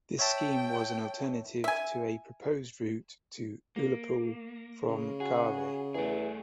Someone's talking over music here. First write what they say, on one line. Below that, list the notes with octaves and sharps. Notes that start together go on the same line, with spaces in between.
This scheme was as an alternative to a proposed route to Ullapool from Garve.
C#5 E5 G5 A5
E5 G#5
A#3
C#3
F#4 G#4
E2 A3 G#4